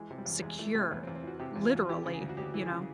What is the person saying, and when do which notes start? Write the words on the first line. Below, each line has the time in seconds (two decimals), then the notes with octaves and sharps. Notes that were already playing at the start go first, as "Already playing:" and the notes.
secure, literally, you know?
Already playing: E3 G#3
0.11 C3
0.18 G3
0.26 E2
0.42 E2 G#3
0.59 E3 A3
0.75 C3 A3
0.91 E2 B3
1.03 C4
1.07 E2
1.16 C4
1.23 E3 F#4
1.39 C3 G4
1.56 E2
1.64 F4
1.72 E2 F#4
1.89 E3 G4
2.06 C#3
2.13 G#4
2.21 D2
2.29 F#4
2.37 D2 G4
2.54 E3
2.62 G#4
2.70 C#3